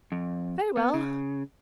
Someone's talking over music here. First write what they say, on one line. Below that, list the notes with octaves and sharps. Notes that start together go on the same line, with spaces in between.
'Very well.
F2
B3
C#3